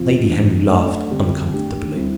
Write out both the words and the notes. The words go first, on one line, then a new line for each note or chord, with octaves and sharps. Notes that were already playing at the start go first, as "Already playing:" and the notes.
Lady Henry laughed uncomfortably.
Already playing: E2 C3 F3 C4 F4
G2 E3 A3 D4
A3 D4 A4 D5
F2 D3 G3 C4 G4
A3 D4 G4
G3 C4 E4